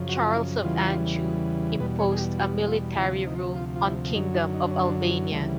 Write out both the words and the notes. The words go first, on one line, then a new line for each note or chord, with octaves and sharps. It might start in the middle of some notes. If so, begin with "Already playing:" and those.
Charles of Anjou imposed a military rule on Kingdom of Albania.
Already playing: F#2 C#3 F3
F#4
F4
E4
E2 C#3 E3 G3 F4
E2 B2 G3 B4
C#5
G#4
G4
F#4
F4
D2 C3 F3 E4
D#4
F4
F4
E4
F#2 D3 F#3 D#4
D#4
D#4
D4
C#4
D4
D2 C#3 E3 G3 A3